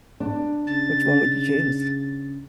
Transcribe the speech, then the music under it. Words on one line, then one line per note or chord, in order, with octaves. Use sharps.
Which one would you choose?
D4
C#3 A6